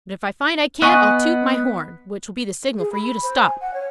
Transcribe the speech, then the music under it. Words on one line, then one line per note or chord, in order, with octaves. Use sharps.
"But if I find I can't, I'll toot my horn, which will be the signal for you to stop."
B3 D#5 F#5 G#5 C#6 F#6
G#4
B5
B5
C5
G#5
F#5
C#5